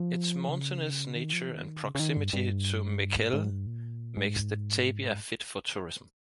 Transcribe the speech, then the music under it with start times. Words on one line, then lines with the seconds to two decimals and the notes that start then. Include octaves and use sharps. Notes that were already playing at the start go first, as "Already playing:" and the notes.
Its mountainous nature and proximity to Mekelle makes the "tabia" fit for tourism.
Already playing: F3
0.49 C#3
1.16 D#3
1.33 F3
1.50 D#3
1.83 C#3
1.95 C#3
2.00 D#3
2.17 G2
2.33 G2
3.17 G#2
3.33 G#2
3.50 G2
3.67 A#2
4.17 G#2